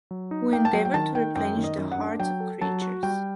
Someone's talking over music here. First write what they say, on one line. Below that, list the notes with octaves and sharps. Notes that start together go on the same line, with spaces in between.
We endeavor to replenish the hearts of creatures.
F#3
D#4
A#3 G5
A5
F#3 G5
G5
D#3 A5
D#3 G5
F#2 G5
D#3
D#5
F#2
F#5
D4
F#3 G5
A4
F#3 A5
F#4
G3 G5